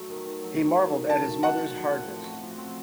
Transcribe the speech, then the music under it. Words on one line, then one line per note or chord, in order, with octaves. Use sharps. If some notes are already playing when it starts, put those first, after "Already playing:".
He marvelled at his mother’s hardness.
Already playing: F#3 A3
D#3
D#3
F#3
A3
D#3
D#3
F#3 A5
A3
D#3 F#5
D#3
F3
C4
A2
F#4
F3
C4